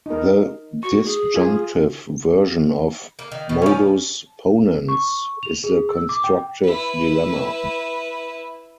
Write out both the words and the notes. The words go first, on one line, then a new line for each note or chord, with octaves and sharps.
The disjunctive version of "modus ponens" is the constructive dilemma.
D#4 A#4
F#4 C#6
G#4
F4 G#5
A#3
D#3
B2
D3 F3 C#4
C#6
F7
G#4
E6
D6
G5
E4 B4